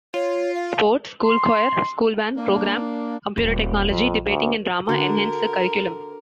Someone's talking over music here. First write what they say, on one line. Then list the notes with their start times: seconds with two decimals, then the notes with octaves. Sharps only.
Sport, School Choir, School Band Program, Computer Technology, Debating and Drama enhance the curriculum.
0.14 F4 C#5
0.55 F5
1.24 C6
2.37 A#3 D4
3.38 D#1
3.89 A#1 F2
4.26 D2
4.89 D3 F#4 A#4